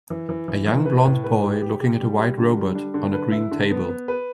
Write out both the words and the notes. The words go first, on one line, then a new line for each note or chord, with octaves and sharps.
A young blond boy looking at a white robot on a green table.
E3
E3
E3
E3
B4
A2
B4
G4
G4
G4
G3
G3
D3
G3
D4
D3
B4
E4
D3
B3
B3
B4